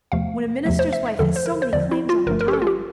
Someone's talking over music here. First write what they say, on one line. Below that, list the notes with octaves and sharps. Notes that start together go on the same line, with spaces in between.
When a minister's wife has so many claims on her time!
E2 C3 F3 A3 F5
E2 C3 F3 A3 E5
C5
E5
E5
E2 D3 F3 A4
C5
A#4
C5
E2 D3 F3 D5
E4
F4
G1 G2 F3 A3 A#4
A#4
G4
A4
F4
G4